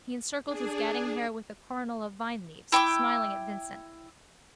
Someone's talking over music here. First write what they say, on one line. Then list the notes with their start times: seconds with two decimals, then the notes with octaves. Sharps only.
He encircled his gadding hair with a coronal of vineleaves, smiling at Vincent.
0.44 D4 G#4
2.72 E4 G5 C#6 D6